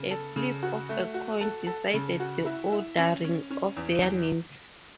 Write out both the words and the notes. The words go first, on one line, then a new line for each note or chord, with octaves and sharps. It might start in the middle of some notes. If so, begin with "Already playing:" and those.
A flip of a coin decided the ordering of their names.
Already playing: C#3
A4
C#3
F#4
A3
F#4
A4
A4
C#3
F#4
E4
E4
C#4
C#4
C#4
E2
E2